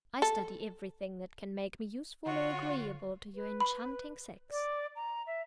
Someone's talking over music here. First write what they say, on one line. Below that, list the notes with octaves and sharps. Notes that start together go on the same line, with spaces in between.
I study everything that can make me useful or agreeable to your enchanting sex.
A4
D3 F4 F#4 C#5 F#5
B4
B5
D5
A#5
E5